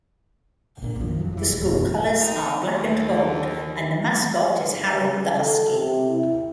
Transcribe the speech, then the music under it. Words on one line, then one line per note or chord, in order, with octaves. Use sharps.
The school colors are black and gold and the mascot is Harold the husky.
A#1 A#2 D3
F#2 D#3 F3
F2 F#3
E3 F3
D#1
G#1 F#2 B2 F#3
C4 D#4
D#2
C#3
A4
C3
E4